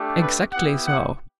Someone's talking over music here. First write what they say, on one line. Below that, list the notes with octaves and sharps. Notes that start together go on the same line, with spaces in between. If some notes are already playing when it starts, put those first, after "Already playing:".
"Exactly so."
Already playing: A3 D4 G4
B4
B3 E4 G4 F#5
F#5